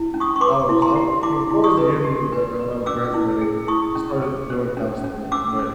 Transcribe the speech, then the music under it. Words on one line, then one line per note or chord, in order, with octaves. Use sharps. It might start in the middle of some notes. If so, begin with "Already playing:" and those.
college, I I mean, towards the end, like, when I was graduating, I started doing calisthenics but
Already playing: E4
C#4
C#6 D#6
C#6
B4 C6 D6
E4
A#5 C6
G4
E4 C6 D6
E4
C#6 D#6
B4
G4
B4
B4
C#4 D6 E6
E4
G#4
E4 C#6 D#6
C#4
G#4
C5
C#4
C#4
C#4 D6 E6
C#4